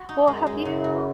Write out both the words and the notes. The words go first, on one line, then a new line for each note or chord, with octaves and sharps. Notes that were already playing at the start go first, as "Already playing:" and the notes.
Well, have you
Already playing: F#4
D#4
F#2 G#3
G#3
C#3
F#4